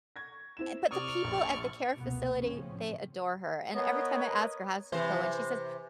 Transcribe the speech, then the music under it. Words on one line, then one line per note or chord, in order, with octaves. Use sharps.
uh but the people at the care facility, they adore her, and every time I ask her how's it going, she says,
C#6 G#6 A#6
C4 E4 E7
C3 D5 C#6 D#6 F6
A#1
F1 C#2 B2 A#3 B3
A2 C#3 F3 C4 C#4
B3 A#4 B4 C#5 D#5
C3 E3 C5